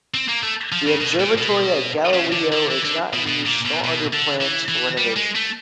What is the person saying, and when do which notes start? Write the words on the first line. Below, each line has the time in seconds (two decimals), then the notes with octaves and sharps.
The observatory at Galileo is not in use nor under plans for renovation.
0.14 C4
0.29 A#3
0.43 A3
0.72 F3
0.86 C#3
1.00 B2
1.20 A#2
1.38 B2
2.13 C#3
2.32 D3
2.52 D3
2.70 E3
2.85 D3
3.14 B2
3.27 B2
3.46 A#2
3.65 B2
3.84 B2
4.13 D3
4.41 E3
4.68 E3
4.98 G3
5.16 G#3
5.35 A3